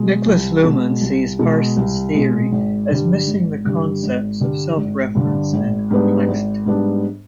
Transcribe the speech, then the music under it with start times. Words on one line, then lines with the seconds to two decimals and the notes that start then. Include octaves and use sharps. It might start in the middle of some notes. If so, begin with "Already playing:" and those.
Niklas Luhmann sees Parsons' theory as missing the concepts of self-reference and complexity.
Already playing: B2 G#3
0.26 C2
0.64 B2 G#3
1.01 C2
1.39 B2 G#3
1.77 C2
2.14 B2 G#3
2.52 G#1
2.90 G2 D3 G3
3.27 G#1
3.65 G2 D3 G3
4.03 G#1
4.40 G2 D3 G3
4.77 G#1
5.15 G2 D3 G3
5.53 G#1
5.91 G#2 G3 B3 D4
6.28 G#1
6.66 G#2 G3 B3 D4